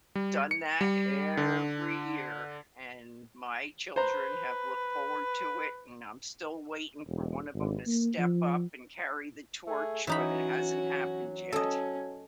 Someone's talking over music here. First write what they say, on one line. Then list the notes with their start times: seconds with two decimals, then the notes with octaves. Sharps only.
done that every year, and my children have looked forward to it, and I'm still waiting for one of 'em to step up and carry the torch, but it hasn't happened yet.
0.15 G3
0.51 C#7
0.81 G3
1.37 D3
3.96 B4 C5 A#5
7.07 E1
7.54 G#1
7.86 A#3
8.18 F3
9.67 A3 G#4
10.07 E3 F#3 C#4 D#4 F#4 B5
11.52 C#4 A4 D#5